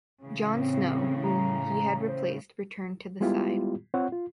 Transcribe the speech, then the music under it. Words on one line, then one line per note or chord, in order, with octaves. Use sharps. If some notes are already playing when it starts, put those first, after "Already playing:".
John Snow, whom he had replaced, returned to the side.
A2 C#3 E3
C4
A#5
C5
G3 G#3 B3 E4 F4 G4
C4 F4 C#5 F#5
F4